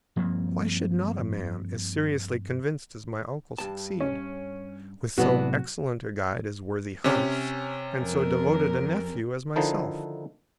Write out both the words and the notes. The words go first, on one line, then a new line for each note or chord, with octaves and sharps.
Why should not a man as seriously convinced as my uncle, succeed, with so excellent a guide as worthy Hans, and so devoted a nephew as myself?
G2 F3 A#3 C4
G2 A5
C#4
A2 C3 E3 F#3 B3 D4 F#4
C3 C#4
F2 A#4
D3 D#3 F3 D#4 E4 A4